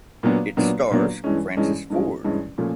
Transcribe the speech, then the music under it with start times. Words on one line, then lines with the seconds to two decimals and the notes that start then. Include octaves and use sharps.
It stars Francis Ford.
0.23 A#2 F#3 B3 D4
0.57 A#2 F#3 B3 D4
0.91 A#2 F#3 B3 D4
1.24 G2 E3 G#3 C#4
1.57 G2 E3 G#3 C#4
1.90 G2 E3 G#3 C#4
2.24 G2 E3 G#3 C#4
2.58 A#2 F3 A3 C#4